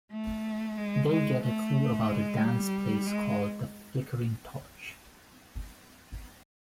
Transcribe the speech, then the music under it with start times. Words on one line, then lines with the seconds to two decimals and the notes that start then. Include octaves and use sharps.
They get a clue about a dance place called The Flickering Torch.
0.11 A3
0.77 G#3
1.10 G#3
1.44 A3
2.09 G#3
2.42 G3
3.07 G#3